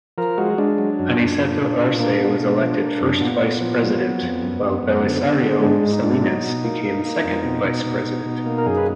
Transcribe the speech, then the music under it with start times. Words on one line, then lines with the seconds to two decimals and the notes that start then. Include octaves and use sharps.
Aniceto Arce was elected first vice president while Belisario Salinas became second vice president.
0.18 F3 A#4
0.38 G#3 F#4
0.58 G#3 D4
0.78 F#3
0.99 F#2
1.19 F#2
1.39 A#2
1.59 A#2
1.79 A#2
2.00 A#3 D4
2.20 B2
2.40 B2
2.60 F3
2.81 A#3
3.01 F#2
3.20 A#2 B3
3.41 A#2
3.61 F3
3.82 F#3
4.02 F#3
4.22 F2
4.42 F#2
4.62 F#2
4.83 F#2
5.03 D3
5.23 D3
5.43 G#3
5.63 G#2 D4
5.83 G#2
5.93 D#4
6.04 G#2 D4
6.24 F#3 D#4
6.44 B2
6.64 A#3
6.85 A#3
7.05 A#3
7.25 F2
7.45 B2
7.65 B2
7.86 B2
8.05 B2
8.26 B2
8.46 A#3
8.58 A#4
8.67 F#2 G#4
8.77 B4